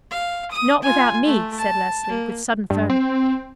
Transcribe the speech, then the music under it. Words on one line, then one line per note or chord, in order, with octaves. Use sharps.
"Not without me," said Leslie with sudden firmness.
F5
D#6
F4 G#5
A3
A5
A#3
G2
C4